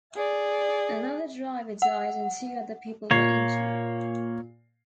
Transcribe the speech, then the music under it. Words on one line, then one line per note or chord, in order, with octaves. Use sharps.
Another driver died and two other people were injured.
G#4 D5
F#5
A#2 A#3 C#5 C7